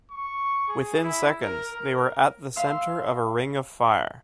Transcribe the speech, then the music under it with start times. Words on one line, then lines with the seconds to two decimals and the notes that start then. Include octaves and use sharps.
Within seconds, they were at the centre of a ring of fire.
0.11 C#6
0.68 G#4
1.01 E4
1.42 A#4
1.74 A#4
2.56 E5 F5 C6 E6